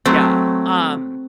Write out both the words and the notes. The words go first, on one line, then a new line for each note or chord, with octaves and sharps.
Yeah. Um,
F#3 A3 C4